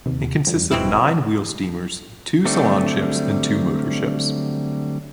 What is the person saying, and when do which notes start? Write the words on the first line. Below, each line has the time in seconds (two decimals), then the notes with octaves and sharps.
It consists of nine wheel steamers, two salon ships and two motor ships.
0.06 D#2 C3
0.47 F2 G3
0.71 E1 B2 C4 E4
2.45 D3 F#3 G3 A3 C4